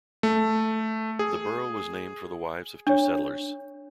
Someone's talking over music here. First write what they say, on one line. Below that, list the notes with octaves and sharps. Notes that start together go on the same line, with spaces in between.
The borough was named for the wives of two settlers.
A3
G#4
D4 C#5